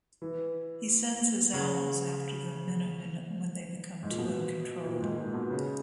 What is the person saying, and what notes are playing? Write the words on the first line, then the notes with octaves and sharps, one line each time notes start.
He sends his owls after the Menehune when they become too uncontrollable.
E3
C#3
G#2
A#2
B2
A#2
G#2
A#2
B2
C#3